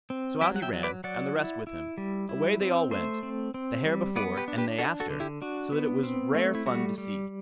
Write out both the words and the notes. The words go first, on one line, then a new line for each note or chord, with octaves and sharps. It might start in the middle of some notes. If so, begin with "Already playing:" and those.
So out he ran, and the rest with him--away they all went, the hare before, and they after; so that it was rare fun to see.
C4
F#3 E5 G5
F#5
E5 G5
F#3
B4 D5
F#3 D5 F#5
E4
E4
G3
E4
C4
A3 C5 E5
C4
C4
G3
B3 B4 D5
G4 B4
D4
G4 B4
D4 F#4 A4
F#4 A4
D3
E4 G4
D4 F#4
B3
C4
A3
E4
G3 F#4
G3